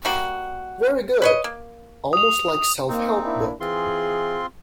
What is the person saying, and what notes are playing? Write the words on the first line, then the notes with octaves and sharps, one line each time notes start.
Very good, almost like self-help book.
G3 A#3 F#4
B4 C#5 D#5
A#3
D#6 F7
A#3 C4 D#4
A#3 D4 E4
E3 C4 F4 G#4 C6